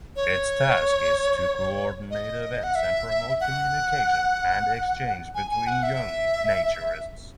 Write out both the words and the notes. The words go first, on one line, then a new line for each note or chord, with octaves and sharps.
Its task is to coordinate events and promote communication and exchange between young naturists.
C#5
D#5
F#5
E5
F#5
G#5
G#5
F#5
E5